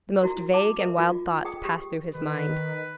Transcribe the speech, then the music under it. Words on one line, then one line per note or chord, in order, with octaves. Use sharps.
The most vague and wild thoughts passed through his mind.
E4 F#4 A#4
A5 D6
A#4 E5
F4
G#4 G5 D#6
G4
D#3 B4